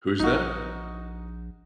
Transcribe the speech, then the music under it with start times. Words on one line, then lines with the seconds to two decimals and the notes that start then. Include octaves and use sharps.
Who's that?
0.19 A#1 D#4 F#4